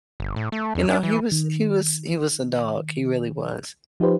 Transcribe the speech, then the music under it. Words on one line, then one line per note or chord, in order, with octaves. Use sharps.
you know, he was he was he was a dog. He really was.
G1
A2
A3
E2
D4
E3
D#3
F3 D#4 F4 G4 B4 C5